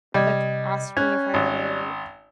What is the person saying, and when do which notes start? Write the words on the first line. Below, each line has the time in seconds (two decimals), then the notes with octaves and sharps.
like, asked me if I ever
0.14 C3 G3 D#5 G#6
0.97 C#4 F#6 G#6
1.34 G#1